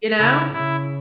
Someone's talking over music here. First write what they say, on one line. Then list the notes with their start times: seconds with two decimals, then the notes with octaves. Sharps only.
You know?
0.18 C#3 E4
0.52 C#3 E4